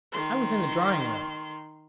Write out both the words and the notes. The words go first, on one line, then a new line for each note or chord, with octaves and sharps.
"I was in the drawing-room."
D#3 C6